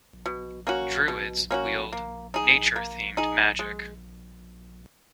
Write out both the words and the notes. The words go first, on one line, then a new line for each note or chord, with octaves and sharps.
Druids wield nature-themed magic.
B2
A#3 C#4 F#4
B2
A#3 C#4 F#4
A#3
D#4 G#4
A#3
D#4 G#4
G#3